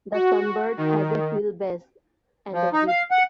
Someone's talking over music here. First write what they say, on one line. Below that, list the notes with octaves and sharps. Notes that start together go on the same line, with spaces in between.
The Sunbird has a wheelbase and a width.
F#4
D#3
F3
D#4
F5
F#5